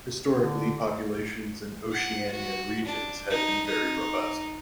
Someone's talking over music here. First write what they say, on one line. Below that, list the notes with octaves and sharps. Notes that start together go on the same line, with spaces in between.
Historically, populations in Oceanian regions had been very robust.
D3
F#5
F#4
D4
D#4
D#4